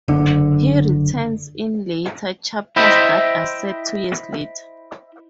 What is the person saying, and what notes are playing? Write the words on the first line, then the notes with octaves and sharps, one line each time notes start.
He returns in later chapters that are set two years later.
F#1 D3
E4 C5 D#5 E5 G5 B5